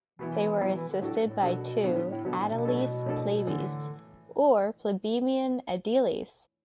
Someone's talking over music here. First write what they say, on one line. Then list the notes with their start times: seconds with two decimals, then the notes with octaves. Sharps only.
They were assisted by two "aediles plebis", or plebeian aediles.
0.19 B2 E3 B3 E4
0.60 B2 F#3 B3 E4
0.74 E3
0.87 D3
1.01 A2 F#3 D4 F#4 A4
1.24 A2
1.42 B2 F#3 D4 F#4 A4
1.83 B2 D3 F#3 B3
1.91 A2
2.05 A2
2.24 B2 D3 F#3 B3
2.38 A2
2.52 B2
2.65 A2 F#3 D4 A4
3.06 A2 F#3 D4 A4
3.47 A2 D3 E3 D4 A4